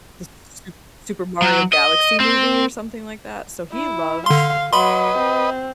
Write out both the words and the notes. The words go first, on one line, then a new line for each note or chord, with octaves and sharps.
The Su Super Mario Galaxy Movie or something like that, so he loves
F#3
D#5
C4
E4
D3 F5 C6
F#3 B4 D#5 B5 C6
C4